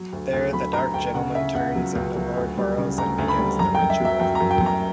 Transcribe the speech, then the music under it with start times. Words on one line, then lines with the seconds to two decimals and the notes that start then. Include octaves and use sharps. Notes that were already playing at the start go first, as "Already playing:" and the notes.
There, The Dark Gentlemen turns into Lord Burroughs and begins the Ritual.
Already playing: F#3
0.13 D2
0.33 D2
0.53 F#3 B5
0.73 D2 A#5
0.94 D2 G5
1.14 C#3 F#5
1.35 C#3 E5
1.55 C#2 F#5
1.76 F#3
1.95 C#2
2.16 F#3
2.37 D2
2.57 G3
2.78 C#3
2.98 D2 A#5
3.18 D2
3.28 B5
3.39 G3
3.59 F#2 A#5
3.75 F#2 G5
3.90 E5
4.00 F#3 E5
4.20 F#2 G5
4.35 A#5
4.40 F#2
4.51 G5
4.61 F#2
4.66 A#5